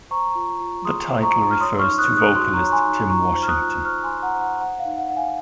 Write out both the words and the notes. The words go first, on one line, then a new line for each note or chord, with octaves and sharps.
The title refers to vocalist Tim Washington.
C5 A#5 C#6
F4
F4
G#4 C6 D#6
C5
A#5 C#6
F4
F6
C#5 C6 D#6
C#6 F6
D#4
D#6 F#6
D#4
D#6 F#6
F#4 C6 D#6
A#5 C#6
C#5
C#6
G#5 C6
D#4
F4 A#5 C#6
C5
F6
D#6 F#6
F4
C5 C#6 F6
G#5 C6
F4
F#5 A#5
C5
F#5
C5 F#5
F#5
F5
D#4
F#5
D#4 F#5
F5 G#5